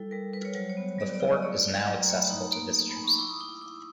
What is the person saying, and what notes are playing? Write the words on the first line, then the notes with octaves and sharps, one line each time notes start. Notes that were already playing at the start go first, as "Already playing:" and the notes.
The fort is now accessible to visitors.
Already playing: G3 E4 A4
G3 A#4
G3 B4
C#5
F#3 C5
C#5
B3
F#3 D5
D5
E4
D#5
A3 D5
E4
F#3 G5
A#5
A3
B5
D#4 A#5
A#3
A#3 A#5
B5
D#4
C#6
E4 D6
D#6
E4 D6
E4 D6